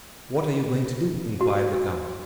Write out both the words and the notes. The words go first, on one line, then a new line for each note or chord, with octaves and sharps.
"What are you going to do?" inquired the count.
F#4